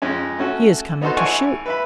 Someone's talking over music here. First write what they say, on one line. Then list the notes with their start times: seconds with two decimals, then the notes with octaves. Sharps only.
He is coming to shoot.
0.02 F2 G#3 C#4
0.39 A3 C#4 F#4 A4
1.01 B3 D#4 F#4 A4 C5
1.16 G#1 E4 C#5 F#5 G#5 C#6
1.66 B4 E5 B5